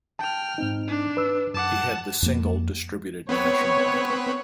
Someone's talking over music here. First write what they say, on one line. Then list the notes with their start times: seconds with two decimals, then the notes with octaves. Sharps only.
He had the single distributed nationally.
0.19 G5 A5 F6
0.58 G#2 C4 D#4
0.88 D4
1.17 B4 E6
1.54 F#2 F#5 A5 D6
2.22 F2 A#3
3.29 B3 C4 B4 C#5